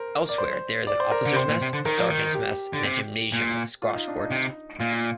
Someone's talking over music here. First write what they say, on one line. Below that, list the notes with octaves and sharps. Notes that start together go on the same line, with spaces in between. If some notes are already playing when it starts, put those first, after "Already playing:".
Elsewhere there is an officers' mess, sergeants' mess, and a gymnasium with squash courts.
Already playing: A#4 C5
D5
C5
D5
C5
A#4
D3 D5
C3 C5
A#2
C3
D3
D#3 A#4
F3
D#3
G4
D3
C3
A#2
F4
D#4
D4
D#4
C3
A#2 F4
F4